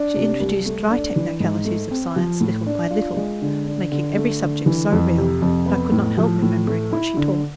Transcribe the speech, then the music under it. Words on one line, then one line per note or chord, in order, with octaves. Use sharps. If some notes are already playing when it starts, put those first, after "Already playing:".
She introduced dry technicalities of science little by little, making every subject so real that I could not help remembering what she taught.
Already playing: D4
C3
C2
A3
D4
E3
G#2
A3
C4
F3
A2
D4
F4
G#3
D3
D4
D3
A3
D3
E3
F2
C3
F2
B3
A2
F3
A2
A3
E4
D3